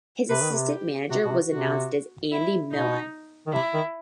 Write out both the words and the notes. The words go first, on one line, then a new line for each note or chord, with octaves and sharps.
His assistant manager was announced as Andy Millen.
C3 B4
D#3
C3
G4
C3 F#4
B2
C3
C3 F#4
E4
B2 D#4
D#3
C3 E4
D#3